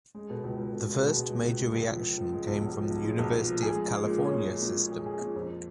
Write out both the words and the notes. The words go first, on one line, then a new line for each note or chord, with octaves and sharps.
The first major reaction came from the University of California system.
G#3
B2
C#2
C#2
B2
G#3
B2
G#3
C#2
C#2
G#3
C#2
F3
F3
F3
G#3
B1
B1
F3
B1
G#3
B1
A#2
F3
G#4
G#3
G#3
A#2
C#4
G#3
G#3
A#2
A#2
G#4
G#4
A#2
F2